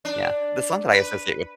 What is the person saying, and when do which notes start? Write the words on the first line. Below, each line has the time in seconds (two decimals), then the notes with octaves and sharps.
yeah, the song that I associate with
0.05 D4
0.92 B4